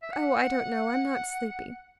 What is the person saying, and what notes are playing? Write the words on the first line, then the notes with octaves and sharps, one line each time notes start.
"Oh, I don't know, I'm not sleepy."
E5
F#5